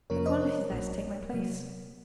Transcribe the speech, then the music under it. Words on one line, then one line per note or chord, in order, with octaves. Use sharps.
"The cornet is there to take my place."
F2 C3 F3 A#3 C#4 A#4 C#5
C5 D#5
A#4 C#5
A#1 A#2 F#3
C3 F#3 A#3